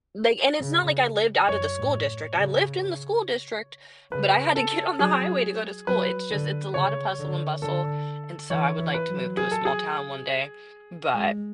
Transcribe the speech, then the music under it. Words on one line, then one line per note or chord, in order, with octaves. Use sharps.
Like and it's not like I lived outta the school district. I lived in the school district, but I had to get on the highway to go to school. It's just it's a lot of hustle and bustle, and so I would like to move to a small town one day, but
C#3
F#2 C#5
A2
C#3
C#3 B4
A4
F#3 G#4
F#3 B4
D3
C#3 C#5
D3
D3 A4
E3 C#5
E3
B4
F#3
G#4
A4
G#4
G#3